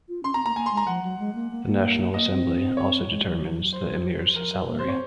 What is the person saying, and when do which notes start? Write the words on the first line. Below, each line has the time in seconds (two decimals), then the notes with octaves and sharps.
The National Assembly also determines the Emir's salary.
0.09 F4
0.23 C#4 C6
0.34 C4 A#5
0.45 A#3 A#5
0.56 A#3 G#5
0.66 C6
0.71 G#3
0.77 A#5
0.87 F3 F#5
1.03 F#3
1.19 G#3
1.35 A#3
1.51 A#3
1.66 A#3
2.14 A#3 D#5
2.30 C4
2.77 C#5
3.02 F#3
3.09 G#3
3.26 F#3
3.41 F3
3.57 F#3
3.73 C5
4.36 F3 A#4
4.52 F#3
4.68 A#3
4.79 C5
4.84 C4 C#5